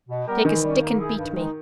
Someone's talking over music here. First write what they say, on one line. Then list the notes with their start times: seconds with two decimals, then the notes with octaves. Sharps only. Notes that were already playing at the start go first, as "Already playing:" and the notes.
Take a stick and beat me.
0.08 B2
0.26 G3 B3 G4 A#4
0.45 D#3 E3
0.63 G3 C#4
0.81 A#3
0.98 E4 G#4
1.16 G2
1.34 D#3 G#3 D#4